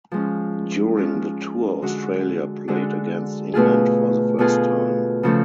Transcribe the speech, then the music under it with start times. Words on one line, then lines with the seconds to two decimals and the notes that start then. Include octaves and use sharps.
During the tour Australia played against England for the first time.
0.12 F3 G#3 C#4
0.97 F3 G#3 C#4
1.82 D3 G#3 D4 F#4
2.68 D3 G#3 D4 F#4
3.54 B2 A3 F4 G#4
4.39 B2 A3 F4 G#4
5.23 C#3 F3 A3